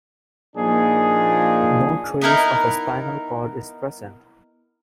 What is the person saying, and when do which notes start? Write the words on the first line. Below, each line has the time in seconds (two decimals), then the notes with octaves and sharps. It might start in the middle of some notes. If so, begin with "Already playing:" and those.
No trace of a spinal cord is present.
0.56 A#2 F3 A#3 D4 D#4 G#4
2.22 B3 D#4 E4 A#4